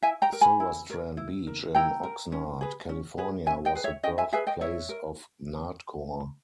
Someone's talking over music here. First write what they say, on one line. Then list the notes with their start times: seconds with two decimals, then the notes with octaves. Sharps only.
Silverstrand Beach in Oxnard, California was the birthplace of Nardcore.
0.03 E4 E5 G#5
0.22 G5 A#5
0.33 A#4
0.41 G#5 B5
0.60 E4
0.90 A#4
1.17 E4
1.47 A#4
1.75 E4 G5 A#5
2.03 A#4
2.32 C#4
2.61 G#4 B4
2.89 C#4
3.18 G#4 B4
3.46 C#4 E5 G#5
3.65 D#5 G5
3.75 G#4 B4
3.84 C#5 E5
4.03 C#4 D#5 G5
4.18 E5 G#5
4.33 G#4 B4 E5 G#5
4.47 D#5 G5
4.61 E4 C#5 E5
4.89 A#4